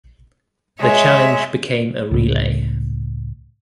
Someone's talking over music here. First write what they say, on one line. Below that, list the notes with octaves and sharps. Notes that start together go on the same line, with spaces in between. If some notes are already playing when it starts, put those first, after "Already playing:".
The challenge became a relay.
G#3 C#5 E5
C#2 A2